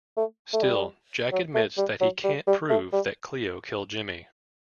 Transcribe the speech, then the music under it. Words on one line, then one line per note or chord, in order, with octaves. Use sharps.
Still, Jack admits that he can't prove that Cleo killed Jimmy.
A3
A3
G3
F#3
A3
G3
F#3
G3
G3
A3
G3